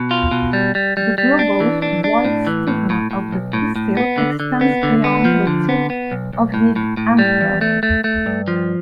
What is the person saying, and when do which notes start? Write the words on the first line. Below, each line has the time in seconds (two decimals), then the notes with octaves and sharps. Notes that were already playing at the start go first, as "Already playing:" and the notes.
The globose white stigma of the pistil extends beyond the tip of the anther.
Already playing: B2
0.11 F4
0.31 B2
0.53 G3
0.75 G3
0.97 G3
1.18 G3
1.39 D4
1.60 E3
1.82 D4
2.04 D4
2.25 A2
2.47 E3
2.68 A2
2.90 A2
3.11 A2
3.32 B1
3.53 A2
3.76 A2
3.97 B3
4.18 D3
4.40 D3
4.61 B3
4.83 D3
5.04 B3
5.25 F3
5.47 D3
5.69 B3
5.90 B3
6.11 B1
6.33 B1
6.54 A2
6.76 A2
6.97 A2
7.19 G3
7.41 E2
7.61 A3
7.83 A3
8.04 A3
8.26 G2
8.48 F3